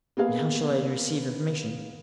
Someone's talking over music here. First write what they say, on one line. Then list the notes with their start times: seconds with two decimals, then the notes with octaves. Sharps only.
"And how shall I receive information?"
0.17 A#3 B3 G#4 F5